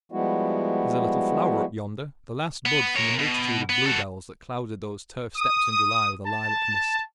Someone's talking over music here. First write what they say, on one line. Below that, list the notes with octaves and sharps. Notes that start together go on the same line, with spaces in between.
There's a little flower up yonder, the last bud from the multitude of bluebells that clouded those turf steps in July with a lilac mist.
F3 G3 G#3 B3 E4 F#4
B3
A#4 C#5
B2
B3
F#4 A4
D#6
A5